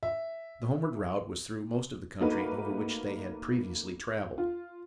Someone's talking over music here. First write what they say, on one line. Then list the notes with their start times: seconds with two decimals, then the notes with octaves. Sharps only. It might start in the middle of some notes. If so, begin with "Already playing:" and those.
The homeward route was through most of the country over which they had previously traveled.
0.03 E5
2.20 A3 A#3 D#4 F#4 A#4 B4
4.38 F4